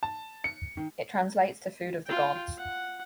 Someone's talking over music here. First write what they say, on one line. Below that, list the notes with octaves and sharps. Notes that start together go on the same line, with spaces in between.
It translates to food of the gods.
A5
C#7
D#3
F4 G5
F#5